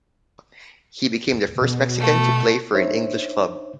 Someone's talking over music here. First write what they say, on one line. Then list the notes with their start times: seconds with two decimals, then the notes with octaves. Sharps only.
He became the first Mexican to play for an English club.
1.61 B2
1.99 A3
2.73 D4 D#4 C5 C#5 E5